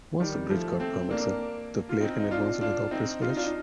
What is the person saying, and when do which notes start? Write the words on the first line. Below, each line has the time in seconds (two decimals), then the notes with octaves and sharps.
Once the bridge guard permits it, the player can advance into the Oppressed Village.
0.20 D#3 G3
0.50 F3 A3
0.80 A3 C4
1.11 A#3 D4
1.89 F4
2.01 C4 D#4
2.20 D#4
2.31 D4 F4
2.61 D4 F4
2.91 C4 D#4
3.22 F4
3.29 D#4
3.36 D4 F4
3.44 D#4